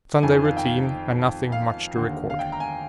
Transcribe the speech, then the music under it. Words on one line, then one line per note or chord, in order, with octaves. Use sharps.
Sunday routine and nothing much to record.
F2 D#3 G#5
F5
G5
F5
F5
D#2 D3
F5
G5
A#5
G#5